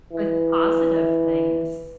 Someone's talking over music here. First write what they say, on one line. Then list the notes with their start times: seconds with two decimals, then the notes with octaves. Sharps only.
With positive things.
0.12 E3